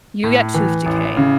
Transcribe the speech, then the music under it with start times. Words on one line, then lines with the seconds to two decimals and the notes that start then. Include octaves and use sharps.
you get tooth decay
0.24 A2
0.54 E3
0.86 A1
1.17 C#3